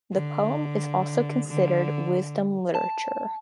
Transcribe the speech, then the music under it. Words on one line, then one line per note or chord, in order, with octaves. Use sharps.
The poem is also considered wisdom literature.
D3
D3
A5